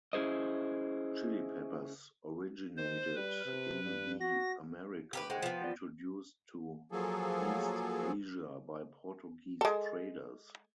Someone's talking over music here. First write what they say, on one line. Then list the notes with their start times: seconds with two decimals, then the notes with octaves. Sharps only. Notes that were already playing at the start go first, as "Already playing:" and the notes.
Chili peppers originated in the Americas, introduced to East Asia by Portuguese traders.
0.13 C#4 E4 G#4 C5 D#5
2.77 D#3 C5
3.15 G3 B4
3.46 C3
3.84 G2
4.20 F#4 A#6
5.13 G4 A#4 B4
5.30 G#3 C5 F#5 G5
5.42 F3 B3
5.62 F4 D5
6.92 F3 F#3 A#3 G#4 A4
9.61 G#3 A4